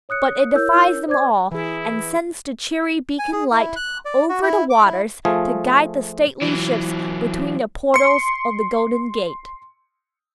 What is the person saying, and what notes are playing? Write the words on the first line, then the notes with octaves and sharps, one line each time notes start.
But it defies them all, and sends the cheery beacon light over the waters, to guide the stately ships between the portals of the Golden Gate.
C#5 D#6 F#6 C#7
E4 A#4 C#5 E6 G6
C5 D5 D6 G#6
E3 E4 G#4
G#5
G#4
E4
F#6
D5
F#4
E4
D6
E4
F3 A3 F4 G#4
E3 F#3
C6 C#7